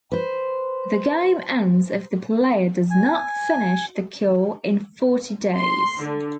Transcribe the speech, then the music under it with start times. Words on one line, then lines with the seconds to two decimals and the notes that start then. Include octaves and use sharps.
The game ends if the player does not finish the cure in forty days.
0.12 B4 C5
2.90 G#5
5.58 C6
6.01 D3